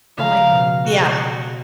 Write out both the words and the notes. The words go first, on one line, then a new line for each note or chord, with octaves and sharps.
Oh, my g yeah.
C#3 F3 F5 A#5
B2
F#4